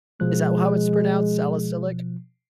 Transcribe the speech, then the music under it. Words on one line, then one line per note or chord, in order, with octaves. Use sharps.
Is that how it's pronounced, salicylic?
B2 F3 G#3 F#6